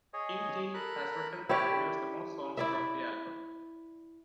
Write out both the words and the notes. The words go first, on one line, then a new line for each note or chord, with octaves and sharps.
King T has written and produced the most songs from the album.
G#4 C#5 D#5
A4 A#4 B5 F#6
E4 G4 C#5 D5
E4 D5 E5